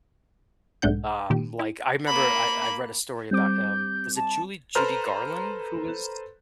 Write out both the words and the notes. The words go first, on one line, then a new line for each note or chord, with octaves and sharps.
um, like, I remember I I read a story about um, was it Julie Judy Garland who was
B1 G#2 A3 D4 F#5 G6
A#2 D#3 G4
E4
A#3 B5
G3 C4 D6 G6
A5
A4 B4 C5 A#5 F6